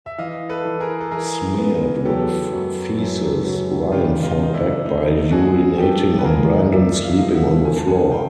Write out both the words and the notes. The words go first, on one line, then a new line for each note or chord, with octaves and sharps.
Smeared with feces, Ryan fought back by urinating on Brandon sleeping on the floor.
E5
E3 D#5 F5
A4 B4
E3
G#4 A#4
A4
E3 G#4 A#4
B3
F#3 G4 A4
F#2
F#2
F#3
C#3 F4 G4
D#4 F4
C#3
D#4
D4 E4
A3 D#4
A4
F#3 F#4 G#4
F3 G4 A4
B4
A#3 G#4 A#4
F3 D5 E5
F5
E5
F3 D#5 F5
E5 F#5
D#3 G#5
A5
F#5 G#5
F5 G5